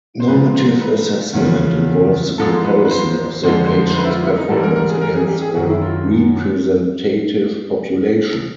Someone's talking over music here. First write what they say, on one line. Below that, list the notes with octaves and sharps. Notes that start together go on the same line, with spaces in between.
Normative assessment, involves the comparison of the patient's performance against a representative population.
C5
G#2 F3 G#3 B4
C5
B4
E2 C#3 F3
G#2 F3 G#3 A4
B4
B4
C5
F2 D3 F3 G#3 C5
C5
C5
B4
E4
F4
E4
D#4
G#2 E3 G3 A4
A#4
A#4
G#4
A#4
G#4
G4
G#4
F#2 D#3 F#3 F#4
E4
F4